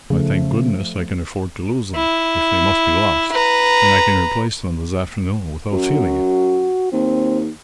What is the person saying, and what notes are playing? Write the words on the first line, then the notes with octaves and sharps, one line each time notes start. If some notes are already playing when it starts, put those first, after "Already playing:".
I thank goodness I can afford to lose them, if they must be lost, and I can replace them this afternoon without feeling it.
C#3 F3 A3
E4
B4 A#5
F#2 F#4
D#2 C4